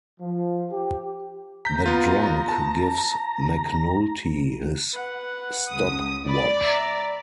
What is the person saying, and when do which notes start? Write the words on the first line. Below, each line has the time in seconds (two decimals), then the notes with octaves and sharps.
The drunk gives McNulty his stopwatch.
0.20 F3
0.71 G4
1.65 A#5 G6 B6
1.86 B3 F4
2.49 A5
4.93 B4 F#5
5.70 C#2 D#6
6.28 D5 B5
6.62 E5 A#5